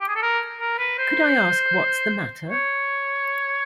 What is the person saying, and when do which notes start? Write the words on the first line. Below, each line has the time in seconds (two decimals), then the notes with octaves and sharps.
Could I ask what's the matter?
0.01 G4
0.08 G#4
0.16 A4
0.22 A#4
0.60 A#4
0.79 B4
0.98 C5
2.49 C#5